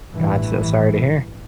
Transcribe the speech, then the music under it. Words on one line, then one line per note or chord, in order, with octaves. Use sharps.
Gotcha. Sorry to hear.
A1 G2 E3